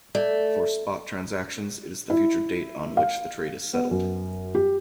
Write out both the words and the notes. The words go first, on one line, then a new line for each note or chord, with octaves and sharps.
For spot transactions it is the future date on which the trade is settled.
A3 D5
E4
F5
B3
F#2
G4